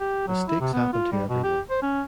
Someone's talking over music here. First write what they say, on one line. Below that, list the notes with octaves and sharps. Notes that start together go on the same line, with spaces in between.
Mistakes happen to everyone.
G4
F#3
E4
C3
B3
F4
G3
B2
G4
C5
C#4